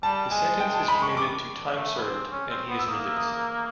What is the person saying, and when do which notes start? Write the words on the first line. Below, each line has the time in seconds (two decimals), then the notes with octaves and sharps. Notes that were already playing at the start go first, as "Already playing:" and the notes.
His sentence is commuted to time served, and he is released.
0.03 G3 A5
0.31 G#3 G#5
0.60 G5
0.74 A5
0.88 B5
1.02 C#6
1.17 D6
1.74 A3
1.97 B3
2.03 C4
2.32 C#4
2.50 C4
2.69 B3
2.79 E6
2.88 A#3 D#6
3.17 D#6